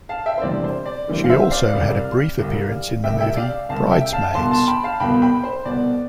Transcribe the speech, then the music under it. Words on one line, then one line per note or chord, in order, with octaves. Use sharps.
She also had a brief appearance in the movie "Bridesmaids".
F5 A5
E5 G5
C5
D2 C3 E3 G3 C4 D5
C5
D5
D2 C3 E3 G3 C4
F5
C5 E5
D5 F5
C2 C3 G3
C2 C3 G3
C2 C3 G3 E5 G5
E5 G5
D5 F5
C2 C3 G3 F5 A5
E5 G5
F5 A5
C2 B2 B3 A5 C6
A5 C6
G5 B5
F5 A5
C2 B2 B3 G5 B5
G5 B5
C5
C2 B2 B3 D5